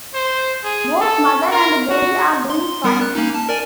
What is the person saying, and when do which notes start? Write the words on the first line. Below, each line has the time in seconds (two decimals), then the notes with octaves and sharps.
Both mother and baby are doing fine.
0.14 C5
0.64 G#4
1.01 A4
1.51 A#4
1.90 F#4
2.50 C6
2.84 G3 B3 A#4
3.01 F#6
3.15 A#3 C#4 D#4
3.35 A5
3.49 A#4 D5 G#5